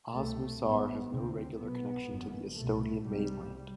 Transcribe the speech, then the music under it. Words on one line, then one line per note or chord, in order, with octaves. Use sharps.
Osmussaar has no regular connection to the Estonian mainland.
C2 B2 A3
A1 G2 B3
D2 C3 C4
B1 B2 B3
G1 F#2
C2 B2 A3
C2 C3 G3